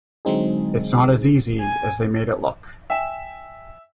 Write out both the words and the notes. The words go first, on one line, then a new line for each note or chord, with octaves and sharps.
It's not as easy as they made it look.
D3 F#3 G#3 C4 D#4 G#4
G#5
E5 G5 G#5 E7